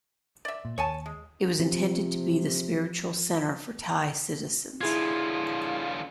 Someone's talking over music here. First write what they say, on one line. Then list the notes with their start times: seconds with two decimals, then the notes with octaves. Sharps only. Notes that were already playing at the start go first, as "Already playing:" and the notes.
It was intended to be the spiritual centre for Thai citizens.
0.45 D5 E5
0.65 A#2
0.78 D#2 C#5 G#5 A5
1.06 G#3
1.60 C3 F3
4.81 D3 E4 F4 G#4 G#6